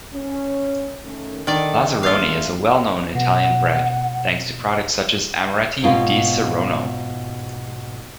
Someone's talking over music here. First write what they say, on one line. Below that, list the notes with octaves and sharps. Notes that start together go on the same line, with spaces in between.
Lazzaroni is a well-known Italian brand thanks to products such as Amaretti di Saronno.
C#4
D#3 A3 C#4
D3 D#3 D4 D5
A3 A#3 D4 F4 F5
B2 F#5
G#2 B2 F4 B4